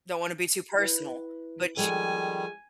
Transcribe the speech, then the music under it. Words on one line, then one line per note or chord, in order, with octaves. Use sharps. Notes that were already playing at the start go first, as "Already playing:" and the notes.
don't wanna be too personal, but she
E4 B4
D#3 F3 G3 G#3 A4 G#5